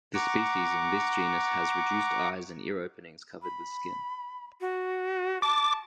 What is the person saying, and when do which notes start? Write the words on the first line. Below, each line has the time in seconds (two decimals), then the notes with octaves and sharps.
The species in this genus has reduced eyes and ear openings covered with skin.
0.14 F#5 A#5 C#6 D6
3.42 B5
4.61 F#4
5.42 A5 D6 A6